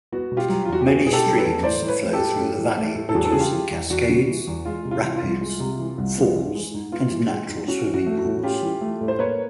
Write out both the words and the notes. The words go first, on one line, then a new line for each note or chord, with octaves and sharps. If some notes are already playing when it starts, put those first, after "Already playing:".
Many streams flow through the valley, producing cascades, rapids, falls and natural swimming pools.
B3 F#4
B2
F4 G4
F#3
F4
E2 F#4
G4
B3 F#4 G#4
B2 G#4
G4 A4
F#3
A4 B4
E2
A2 C5 D5
E3
B4 C#5
A3
G4 A4
A2
A2
E3
A3
A2
A4
E2 F#4 G#4
A4
C#3 G#4
F4 G4
E3
E2
E2 F#4
C#3
E3
E2
G#3 F4
C3
F4
E3
F4
C2
G#3
C3
E3
C2
B3
E3
G#3
G#2
B3 F4
E3
G#3
G#2
C#4 F#4
E3
F#4
A3
F#4
A2
C#4 F4 G4
E3
A3
A2
C5
A#3 B4 C#5